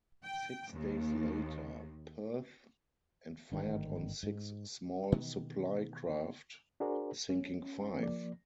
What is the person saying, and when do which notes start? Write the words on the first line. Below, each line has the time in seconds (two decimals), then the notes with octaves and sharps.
Six days later, "Perth" and fired on six small supply craft, sinking five.
0.23 G5
0.71 D#2
3.52 G#1 G2 D3 D#3
4.23 G#2
5.12 B2 D#3 E3 B3
6.80 D4 F#4 G#4 A#4 C5 D5
7.30 C#4
7.99 F3 A#3 D5